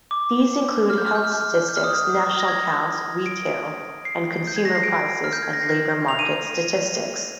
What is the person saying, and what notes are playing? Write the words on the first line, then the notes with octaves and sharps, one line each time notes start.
These include health statistics, National Accounts, Retail and Consumer Prices and Labour Market Statistics.
D6
F6
G6
F6
G6
F6
G6
F6
G6
F6
D#6
F6
A#6
G#6
D7
C7
G6
G#6
A#6
C7
D7
F6
G6
G#6
A#6
C7
F7
D#7